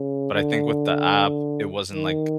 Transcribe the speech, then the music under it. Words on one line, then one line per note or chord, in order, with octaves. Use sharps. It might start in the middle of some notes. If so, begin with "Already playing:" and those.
but I think with the app, it wasn't, like,
Already playing: C#3
D3
D#3